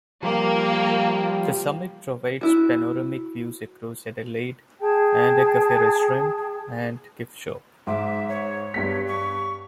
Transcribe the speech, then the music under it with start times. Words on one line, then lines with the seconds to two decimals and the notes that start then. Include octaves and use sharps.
The summit provides panoramic views across Adelaide, and a cafe-restaurant and gift shop.
0.23 F3 G3 A#3
2.41 E4 F#4
4.80 G#4 G5 A5
7.87 G#2 E5 D6
8.29 C#5
8.74 G2 B3 B6
9.07 C#6